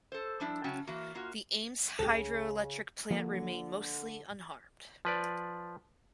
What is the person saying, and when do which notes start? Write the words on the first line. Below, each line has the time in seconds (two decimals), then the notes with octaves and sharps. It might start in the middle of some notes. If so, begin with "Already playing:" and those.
The Ames Hydroelectric plant remained mostly unharmed.
0.12 A4 C5
0.40 F3 G3 D4 E4
0.64 C#3 F#3 C#4 G5 A5
0.87 E3 A#3 F#4
1.15 A#3 F4 F#4
1.99 C#2 C#3 G4 A4
3.10 D3 F3 A#3
5.05 F3 B4 D5